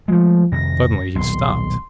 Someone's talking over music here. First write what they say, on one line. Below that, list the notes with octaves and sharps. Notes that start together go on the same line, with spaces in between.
Suddenly he stopped.
F3 G#3 A3
F2 C3 D#3 A#6
D#1 B1 C6